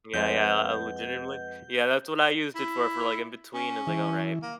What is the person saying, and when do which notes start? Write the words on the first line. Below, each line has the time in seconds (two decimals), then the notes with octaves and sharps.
Yeah, yeah, I legitimately yeah, that's what I used it for for like, in between, it was, like, "Alright."
0.14 F2 G#3 B4 C5 D#5 F#5 G6
2.55 E4
3.54 C#4
3.87 E3
4.42 A#3